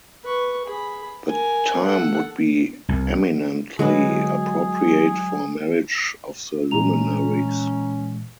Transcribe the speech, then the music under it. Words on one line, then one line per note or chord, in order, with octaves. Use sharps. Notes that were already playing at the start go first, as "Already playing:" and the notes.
The time would be eminently appropriate for a marriage of the luminaries.
B4 C#6
G#4 B5
A#4 G#5
A4 F#5
C2
D3 F#3 G#3 F#4 G#4 B4
A#2 E3 G#3 C#4 A#5 F7